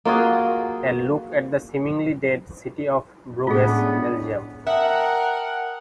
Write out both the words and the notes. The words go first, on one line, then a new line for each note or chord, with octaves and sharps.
A look at the seemingly-dead city of Bruges, Belgium.
A#3 F4 F#4 G#4
A2 G#3 B3 C#4 D4 F4 G#4
A#4 E5 F#5 G5 A5 D#6